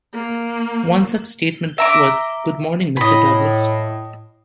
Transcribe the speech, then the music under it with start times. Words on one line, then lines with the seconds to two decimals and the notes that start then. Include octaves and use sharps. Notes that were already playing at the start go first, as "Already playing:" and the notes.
One such statement was, Good morning, Mr. Douglas!
0.13 A#3
1.78 E5 A#5 D6
2.97 A2 D#5 B5